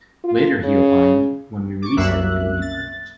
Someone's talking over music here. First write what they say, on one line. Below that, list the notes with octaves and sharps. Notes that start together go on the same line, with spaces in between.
Later he opined, when we release it, it will be perfect.
F4
C#3
C#6 D6
C2 F#2 A#3 E5 F#6
A6